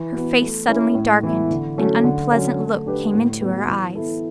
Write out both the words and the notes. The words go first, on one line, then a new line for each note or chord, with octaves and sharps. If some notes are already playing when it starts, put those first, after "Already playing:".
Her face suddenly darkened, an unpleasant look came into her eyes.
Already playing: E3
B3 F#4
A3
C#4 E4
A2
E3 B3 E4
D3
F#3 A3 C#4 F#4
D3
F#3 C#4
A3
D4 G4 B4
A2
G3 B3 F#4 B4
E3
B3 E4 A4